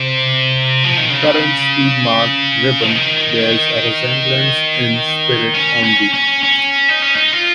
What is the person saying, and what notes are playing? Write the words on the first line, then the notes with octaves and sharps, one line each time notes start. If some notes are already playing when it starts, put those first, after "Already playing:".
The current "Speedmarque" ribbon bears a resemblance in spirit only.
Already playing: C3
F3
D#3
C#3
F3
D#3
C#4
C#4
C#4
C#4
D#4
C#4
D#4
F4